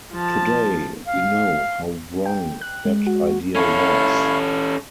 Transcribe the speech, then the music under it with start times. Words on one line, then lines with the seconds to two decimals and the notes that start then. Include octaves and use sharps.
Today we know how wrong that idea was.
0.12 F3 A5
1.06 F5
2.26 G5
2.61 F#6
2.85 G#3
3.07 F#4
3.56 C#4 E4 A4 C#5 F5